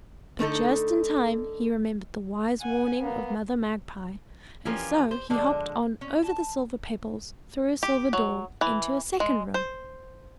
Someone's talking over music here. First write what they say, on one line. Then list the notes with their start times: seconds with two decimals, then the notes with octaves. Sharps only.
But just in time he remembered the wise warning of Mother Magpie; and so he hopped on over the silver pebbles through a silver door into a second room.
0.39 D3 A3 D#4 A4
2.61 F#5 G#5
2.99 A#3 B3
4.65 E3 F3 C#4 F4 G4 A#4
5.11 C5
5.30 D3 F3 G#3 D4
6.01 C#4
6.22 A5
7.83 G4
8.13 F#3
8.61 E3
9.20 G#3
9.54 C5